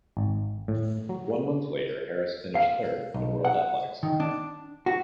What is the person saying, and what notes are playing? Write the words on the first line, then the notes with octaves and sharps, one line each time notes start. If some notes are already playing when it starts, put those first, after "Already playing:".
One month later Harris finished third at the World Athletics Final.
G#1
A2
F#3
F5
B1
F#5
D#3
D4
F#4